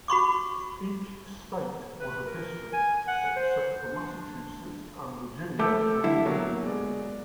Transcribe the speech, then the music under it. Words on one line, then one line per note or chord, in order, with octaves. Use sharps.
Each State was a district, except for Massachusetts and Virginia which formed two.
F#4 B5 C#6 D6
B4
A#4
G#5
F#5
C5
D4
A3 A4 D6 G6
D3 G3 E4
B2 F#3 A#3
G#3 D5